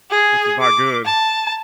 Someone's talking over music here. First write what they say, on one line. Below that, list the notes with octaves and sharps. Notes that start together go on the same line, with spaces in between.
which is not good,
G#4
D6
A5